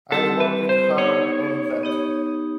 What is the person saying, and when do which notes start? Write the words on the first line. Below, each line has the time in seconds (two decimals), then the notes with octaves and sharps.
I worked hard on that!
0.11 G3 C4 E4 G4 A4
0.40 B4
0.69 C5
0.98 B3 D#4 G4 C#5
1.83 B3 D#4 G4